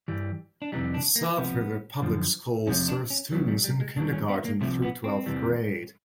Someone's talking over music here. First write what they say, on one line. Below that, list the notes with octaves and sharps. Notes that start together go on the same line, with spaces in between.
The South River Public Schools serve students in kindergarten through twelfth grade.
G2 E3 G3
D4
F2 C3 E3 G3 D#4
D4
A#3
C#2 C3 F3 B3
F#2 D3 F3
E2 C3 F3 C#4
D4
C#4
C#2 C3 D#3 F#3 G3
G3
G3
G#3
D#2 C#3 E3 G3 D4
C#4
B3
A#3
C2 C3 F3 A3
B3
C4
E2 C3 E3 G3